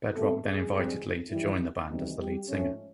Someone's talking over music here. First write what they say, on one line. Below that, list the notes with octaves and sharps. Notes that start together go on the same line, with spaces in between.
Bedrock then invited Lee to join the band as the lead singer.
B2 G3 A3 C4 A4
G#3 G#4
F2 D3 G3 C4
F#2 D#3 E3 G3 E4
D2 C3 D#3 E3 G3 D#4
G3 G4
G#2 F3 A3 C#4